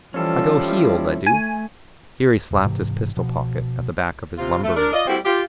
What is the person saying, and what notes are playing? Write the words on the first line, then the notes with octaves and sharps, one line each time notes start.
I go heeled, I du!' Here he slapped his pistol pocket at the back of his lumbar region.
E3 F3 G3 C#4 A4
E4
A3 G#5
E1
G#1 G#2 C3 E3
B2 F3
C3 F4
A3
D4 A#4
F4 D5 D#5
G3 A3 C4 E4 F#4
F4 G4